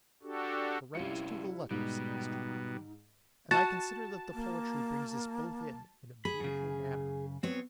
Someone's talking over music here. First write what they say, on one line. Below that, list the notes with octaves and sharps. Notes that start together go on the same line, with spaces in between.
'Correct to the letter!' said Mr Boffin. 'And I consider that the poetry brings us both in, in a beautiful manner.'
D4 F#4 G4 A4
C2 G2 G3 C#4 E4 F4 C#7
G#2 B2 G3 D#4
F#4 A5
A#3
G#4 B5
F#2 C#3
F#3 B3 C4 C#5